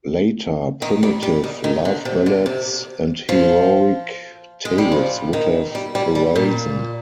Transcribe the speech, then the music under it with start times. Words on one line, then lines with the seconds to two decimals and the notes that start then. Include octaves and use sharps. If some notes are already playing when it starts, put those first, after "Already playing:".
Later, primitive love ballads and heroic tales would have arisen.
0.82 D#3
1.03 G3
1.23 G3
1.44 D#3
1.64 D#3
1.85 D3
2.05 C3
2.26 D3
2.46 C3
3.29 F3
4.65 G#3
4.78 G3
4.92 F3
5.33 D#3
5.75 G3
5.95 G3
6.15 G3
6.36 A#2